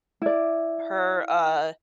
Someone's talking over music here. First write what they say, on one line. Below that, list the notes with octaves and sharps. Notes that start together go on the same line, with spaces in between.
her, uh,
E4 D5